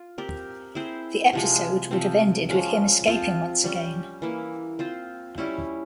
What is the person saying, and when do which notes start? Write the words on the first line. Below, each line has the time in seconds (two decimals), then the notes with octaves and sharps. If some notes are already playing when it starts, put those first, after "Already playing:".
The episode would have ended with him escaping once again.
Already playing: F4
0.18 C4 G4 A#4
0.75 C4 E4 G#4 C5
1.33 C3 F3 G#3
1.91 C3 F3 C4
2.49 F3 G#3 C#4
3.07 F3 C4 F4
3.64 G3 C#4 G4
4.22 E3 A#3 E4
4.79 C4 F4 C5
5.38 G3 C#4 E4